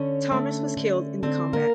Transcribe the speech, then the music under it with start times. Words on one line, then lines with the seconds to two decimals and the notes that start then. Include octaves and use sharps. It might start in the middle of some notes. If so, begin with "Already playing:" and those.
Thomas was killed in the combat.
Already playing: D3 C#4 C#5
0.32 A3
0.77 D3
1.23 D3 C4 C5
1.53 A#3 A#4